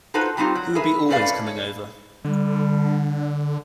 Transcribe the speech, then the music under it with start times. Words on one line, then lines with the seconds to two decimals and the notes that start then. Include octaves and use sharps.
He would be always coming over.
0.14 D#4 F4 F#4 A4 B4 C5
0.37 F#3 G3 C4 D#4 F4 G4
0.55 F#3
0.75 G#4 A#4 B4 E5
1.09 F2 A3 C#4 B4 D5 F5
1.47 C#5
2.25 D3 G3